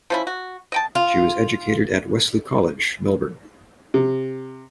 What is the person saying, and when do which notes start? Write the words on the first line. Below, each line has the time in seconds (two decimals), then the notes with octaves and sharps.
She was educated at Wesley College, Melbourne.
0.10 F3 C#4 E4
0.27 F#4
0.72 D#5 G5 A5
0.95 F4
3.94 C3